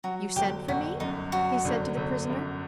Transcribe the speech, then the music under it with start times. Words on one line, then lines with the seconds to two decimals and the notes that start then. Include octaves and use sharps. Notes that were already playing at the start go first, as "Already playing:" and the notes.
"You sent for me?" he said to the prisoner.
0.04 F#3 F#4
0.36 G1 G4
0.68 G1 F#4
1.00 F#2 D#4
1.32 F#3 F#4
1.65 G1
1.97 G1
2.30 F#2